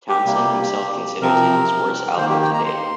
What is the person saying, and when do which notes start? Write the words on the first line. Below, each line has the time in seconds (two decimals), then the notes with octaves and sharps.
Townsend himself considers it his worst album to date.
0.09 G4
0.26 C3 G3 A#3
1.22 C3 F3 C4 A#4
2.17 D#3 A#3 C5
2.29 G4
2.42 G5
2.54 A#5
2.65 C6